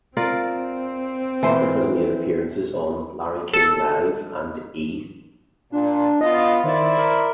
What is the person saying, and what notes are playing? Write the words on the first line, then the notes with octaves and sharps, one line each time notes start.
Parker has made appearances on "Larry King Live" and E!
C4 F4 A#4 D5
E3 C5
A4
A#2 D4
B3 F4 D#5
D#3 E4 C5 D5
A#4